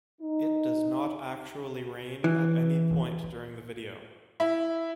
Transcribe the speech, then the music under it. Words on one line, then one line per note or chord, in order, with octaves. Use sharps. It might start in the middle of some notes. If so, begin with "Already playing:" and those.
It does not actually rain at any point during the video.
D#4
E3
E4